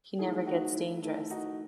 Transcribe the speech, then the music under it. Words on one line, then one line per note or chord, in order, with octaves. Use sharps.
He never gets dangerous.
D#3 A3 E4 G#4
D#4 F#4
E4
D#3 A3 E4
D#4 F#4